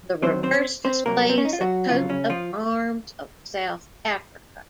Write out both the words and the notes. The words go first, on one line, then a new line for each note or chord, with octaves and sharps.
The reverse displays the Coat of Arms of South Africa.
F2 D#3 F#3 C4 C5
C4 C5
C4 C5
C2 C3 F#3 A#3 A#4
C4
C#4
D#4
F4
F#3 F#4
F2 C#3 F3 F#3 F4
C#3 C#4
F3 F4